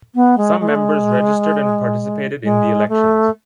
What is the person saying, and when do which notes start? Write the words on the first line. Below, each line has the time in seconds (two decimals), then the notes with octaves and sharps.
Some members registered and participated in the elections.
0.15 B3
0.37 G#3
0.60 G#3
0.67 A3
0.75 G#3
2.43 G#3
2.89 A3